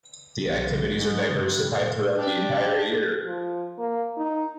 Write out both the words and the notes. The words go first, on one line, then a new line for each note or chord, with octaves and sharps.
The activities are diversified throughout the entire year.
B1
G#2
G2
A#2
D4 G4
F3
A#3
D#4